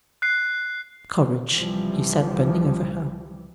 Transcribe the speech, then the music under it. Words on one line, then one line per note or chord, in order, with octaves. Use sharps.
"Courage!" he said, bending over her.
F#6 C7
C#2 C3 E3 F3 G3